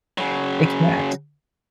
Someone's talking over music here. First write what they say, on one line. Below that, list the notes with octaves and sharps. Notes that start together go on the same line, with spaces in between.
It can't.
C#3 F#3